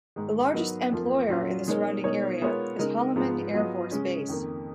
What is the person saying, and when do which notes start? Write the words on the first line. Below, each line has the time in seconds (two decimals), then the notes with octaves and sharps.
The largest employer in the surrounding area is Holloman Air Force Base.
0.16 G#2 D#3 G#3
0.54 F#3 B3 D#4 A#4 D#5
0.91 F2 F3 A#3 F4 A#4
1.28 A#2 F#3 C#4 F4
1.66 B2 G#3 D#4 A#4 C#5
2.04 B2 G#3 D#4 A#4 C#5
2.42 G#3 B3 F4 A#4 C#5
2.79 C#3 G#3 D#4 A#4 D#5
3.16 G#2 F3 B3 F4
3.53 F#3 B3 F4 G#4 D#5
3.91 C#3 G#3 C#4
4.29 F2 D#3 A#3